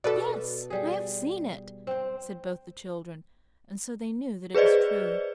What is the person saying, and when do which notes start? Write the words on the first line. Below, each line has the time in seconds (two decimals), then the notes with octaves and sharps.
"Yes, I have seen it," said both the children; and so they knew that it was true.
0.04 B2 A4 B4 D5
0.70 G3 G#4
1.87 C4 C5
4.54 G#4 B4 C5 D5 D#5